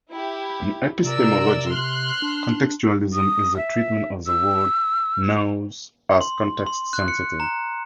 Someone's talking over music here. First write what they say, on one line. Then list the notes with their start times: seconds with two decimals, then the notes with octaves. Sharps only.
In epistemology, contextualism is the treatment of the word 'knows' as context-sensitive.
0.11 E4 G4
1.04 C3 A#4 D5 E6
1.69 C6 F6 F#6
2.22 D4
3.13 D#6
3.57 E5
4.27 E6
6.21 C6
6.67 C6
6.93 F#6
7.08 C#7
7.40 A#5